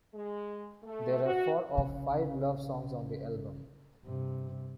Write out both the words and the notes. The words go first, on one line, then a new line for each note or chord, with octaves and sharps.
There are four or five love songs on the album.
G#3
A3
F#4
A#1 C#3
G2 C3